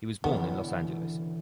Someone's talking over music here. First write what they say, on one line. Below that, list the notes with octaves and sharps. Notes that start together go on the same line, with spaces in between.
He was born in Los Angeles.
E1 D2 C#3 E3 B3